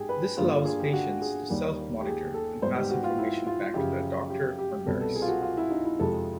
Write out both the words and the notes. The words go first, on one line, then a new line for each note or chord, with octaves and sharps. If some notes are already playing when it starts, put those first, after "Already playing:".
This allows patients to self-monitor and pass information back to their doctor or nurse.
Already playing: G#2 G4 G#4
B4
G2 D3 G3 A#3 F4
G#4
G4
F#4
G#4
D#2 D#3 G3 A#3
G4
G#4
A4
G#2 D#3 G3 B3 C5
G4
F#4
F4
E4
F4
F#2 C#3 F3 G4
G4
G4
C2 B2 G3 B3 A4
A4
G#4
F4
F#4
F4
E4
D#4
E4
F2 C3 F3 G#3 A4